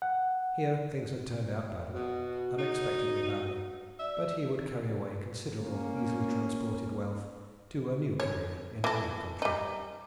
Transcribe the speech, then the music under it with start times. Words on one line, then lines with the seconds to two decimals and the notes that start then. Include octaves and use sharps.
Here, things had turned out badly, unexpectedly badly--but he would carry away considerable, easily transported wealth, to a new career in a new country.
0.02 F#5
1.95 B2 F#4
2.59 D#4
3.99 D5 E5
5.60 A#3 C#4
8.20 C#5
8.84 E3 A4
9.42 G3 D#4